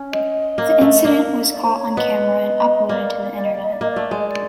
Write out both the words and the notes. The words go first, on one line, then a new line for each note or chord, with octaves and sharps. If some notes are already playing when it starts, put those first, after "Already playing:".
The incident was caught on camera and uploaded to the Internet.
Already playing: C#4
D#5
A#3
A3
A#3
D5
C5
C#5
B3 D#5
A#3 D5
D5
D#5
D5
D#5
D5
A#3 D#5
D5
A3
G#3
D#5
D5